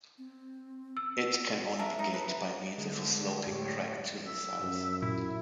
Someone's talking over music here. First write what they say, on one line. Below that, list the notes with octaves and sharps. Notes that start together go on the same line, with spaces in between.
It can only be gained by means of a sloping crack to the south.
C4
E6
D4 A4 A#4 E5
D#4
B4
D3 G#3
A2 G4
E5
F#2
A#2 E4